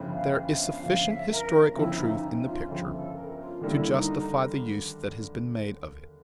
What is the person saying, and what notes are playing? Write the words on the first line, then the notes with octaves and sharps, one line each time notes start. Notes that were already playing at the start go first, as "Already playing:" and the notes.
There is sufficient historical truth in the picture to justify the use that has been made of it.
Already playing: G1 F2 C#3
F5
F5
F5
G1 F2 C#3 F5
E5
A#4
G1 F2 C#3 E4
D#4
D#4
F4
G1 F2 C#3
A4
A#4
F4
D#2 D3 G3 A#3 D4 E4
D#4